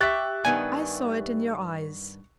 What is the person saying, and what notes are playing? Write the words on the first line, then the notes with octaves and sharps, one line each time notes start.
I saw it in your eyes.
G4 E5 C#6 F#6 A6
G2 D#3 B3 G#5